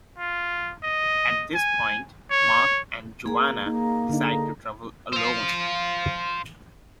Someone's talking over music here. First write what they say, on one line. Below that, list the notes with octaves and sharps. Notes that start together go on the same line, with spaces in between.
At this point Mark and Joanna decide to travel alone.
F4
D#5
G#5
C#5
A#3 G#4 A#5
A#3 D#4
D3 D#4
C5 F5